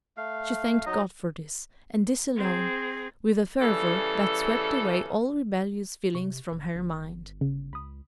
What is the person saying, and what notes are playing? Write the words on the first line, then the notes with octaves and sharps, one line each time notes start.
She thanked God for this, and this alone, with a fervour that swept away all rebellious feelings from her mind.
A3 F5
F#3 D#4 D#5
C4 G#4
C#3 E3 G3 A4
C3 C#6
E1
G1
C#3
C#2 B5 D#6